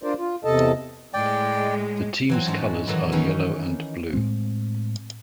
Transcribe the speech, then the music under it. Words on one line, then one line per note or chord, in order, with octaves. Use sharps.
The team's colours are yellow and blue.
D4 F4 A#4 C5 D5
F4
E2 C3 A4 D#5 A5
A2 G#3 D5 G5
E3 F#3 C4
G#2 G#3 C#4 A5
F#2 A2 D#3 E3 F#3
D#3 E3 C#4 D#4
A2 G#3 C4